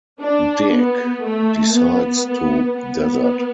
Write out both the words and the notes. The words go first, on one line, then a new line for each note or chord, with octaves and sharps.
Dick decides to desert.
D4
B3
A3
B3
B3
B3